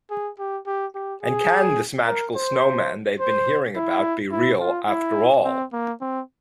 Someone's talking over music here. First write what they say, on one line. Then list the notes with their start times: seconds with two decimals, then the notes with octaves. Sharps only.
And can this magical snowman they've been hearing about be real after all?
0.11 G#4
0.39 G4
0.67 G4
0.95 G4
1.23 G#4
2.07 A#4
2.35 C5
3.20 C5
3.76 E4
4.32 E4
4.60 F4
4.88 E4
5.45 C4
5.73 A#3
6.01 C4